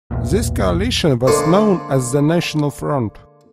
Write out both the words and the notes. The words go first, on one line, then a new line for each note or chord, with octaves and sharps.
This coalition was known as the National Front.
B1 E2 A#2
D3 G#3 A#3 A4 C5